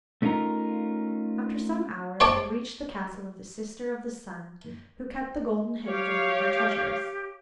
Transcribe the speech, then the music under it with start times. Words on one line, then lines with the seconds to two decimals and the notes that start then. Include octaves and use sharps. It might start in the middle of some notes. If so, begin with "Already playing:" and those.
After some hours they reached the castle of the Sister of the Sun, who kept the golden hens among her treasures.
0.22 A3 C#4 D#4 F4 A#4
2.20 C5 C#5 G5 A5 D6
5.86 G4 C#5 F5